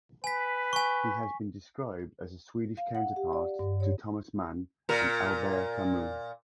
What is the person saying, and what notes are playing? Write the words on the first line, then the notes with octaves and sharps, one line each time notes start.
He has been described as a Swedish counterpart to Thomas Mann and Albert Camus.
B4 G#5 B6
G#5 C#6
F5
F#5
G4
D5
G2
C#5
A#2 A#4